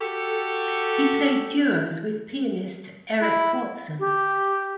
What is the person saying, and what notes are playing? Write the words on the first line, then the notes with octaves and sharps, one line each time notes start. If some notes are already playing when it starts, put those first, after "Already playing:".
He played duos with pianist Eric Watson.
F#4 G4 A4
E4
G4